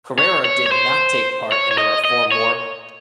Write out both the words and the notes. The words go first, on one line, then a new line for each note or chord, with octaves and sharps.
Carrera did not take part in the Reform War.
C#5
C#5
C#5
C5
C#5
C#5
D#5
D#5
C#5